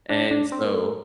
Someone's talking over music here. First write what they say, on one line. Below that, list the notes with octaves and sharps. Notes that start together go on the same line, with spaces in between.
and so
D4
D4
C4
A#3
A3